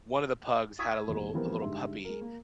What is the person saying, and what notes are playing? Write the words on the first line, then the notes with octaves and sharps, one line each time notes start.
one of the pugs had a little a little puppy,
C#6 D#6 E6 G#6 B6
E2 A#2 G3
E3 F3 G3 B3 C4 A#4
G#2 D3 G3 E5 C6
G#3 A#4
A#3